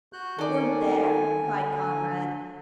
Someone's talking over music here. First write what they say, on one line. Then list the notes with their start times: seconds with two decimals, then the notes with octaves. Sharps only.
"Weren't there?" cried Conrad.
0.13 F#4 F#6 G6
0.38 D#3 A4 D5 G#5
1.44 D3